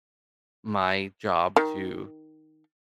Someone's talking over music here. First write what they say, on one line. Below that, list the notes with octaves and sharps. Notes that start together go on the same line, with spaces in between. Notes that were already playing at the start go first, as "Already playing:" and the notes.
my job to
D#3